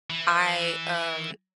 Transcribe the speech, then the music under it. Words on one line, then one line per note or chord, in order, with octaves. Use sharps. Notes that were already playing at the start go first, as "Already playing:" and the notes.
I, um,
E3